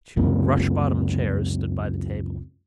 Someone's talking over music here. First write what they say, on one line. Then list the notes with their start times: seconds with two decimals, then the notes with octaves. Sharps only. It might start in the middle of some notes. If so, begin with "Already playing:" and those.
Two rush-bottom chairs stood by the table.
0.17 C#2 F#2 C3 A#3